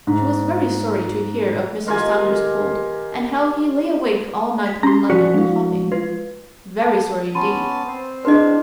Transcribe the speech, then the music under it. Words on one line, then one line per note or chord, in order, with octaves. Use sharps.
She was very sorry to hear of Mr. Saunders's cold, and how he lay awake all night in London coughing; very sorry indeed.
G#2
D#3 F4 G4 G#5
B6
C#4 A#5 C6
F3 F#4 D5 B6
G#3 E4
F4 B4
A5
B3 C#4 A5 B5 C6 D#7
C4 C5
D4 E4 G#4 B4 D#5 C6